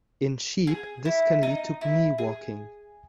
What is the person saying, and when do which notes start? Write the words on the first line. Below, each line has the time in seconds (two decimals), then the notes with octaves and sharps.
In sheep, this can lead to knee-walking.
0.67 G#4
1.05 E4
1.43 D#4
1.81 E4
2.18 G#4